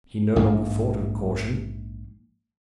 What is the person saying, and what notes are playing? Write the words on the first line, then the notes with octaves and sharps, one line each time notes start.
He no longer thought of caution.
A#1 G#2 A#3